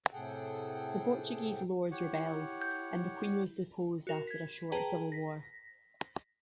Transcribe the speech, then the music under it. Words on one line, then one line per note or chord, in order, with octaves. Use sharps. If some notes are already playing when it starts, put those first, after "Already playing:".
The Portuguese lords rebelled, and the Queen was deposed after a short civil war.
A2 C3 G#4 A4 F#5 G5
E4 G4 C#5 F#5
G6
F#4 A#4
G#6 B6
G#4 B4 G5 A5 A#5
A#6 B6